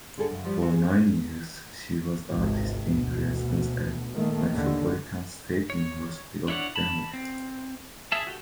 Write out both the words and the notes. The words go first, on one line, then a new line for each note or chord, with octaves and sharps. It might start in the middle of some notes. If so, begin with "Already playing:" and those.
For nine years she was artist in residence at Metropolitan State University of Denver.
D3 G#4 A4
F#2 C#3
F3 G3
F2
G#4
G#1 C#2 C3
D2 B2
A#2 D#3 A3 A#3
D#2 D3
C#5
D4 E4 C#5 D5 F#5
A5 B5
C4
G#4 E5 A5
F#4 G4 A4